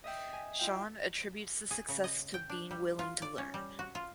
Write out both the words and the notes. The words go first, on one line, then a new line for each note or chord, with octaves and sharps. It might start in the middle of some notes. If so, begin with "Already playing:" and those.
Shawn attributes the success to being willing to learn.
D#5 E5 G5
G#5
E4 F4 G5
G#4
C#3
D#5
G5
D4
G3
F4
D5
C#4
G3
F#4
F4